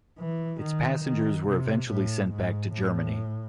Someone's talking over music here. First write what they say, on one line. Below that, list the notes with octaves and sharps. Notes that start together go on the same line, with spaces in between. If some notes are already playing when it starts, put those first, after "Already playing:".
Its passengers were eventually sent back to Germany.
E3
D#3
D#3
C3
A2
G#2
A2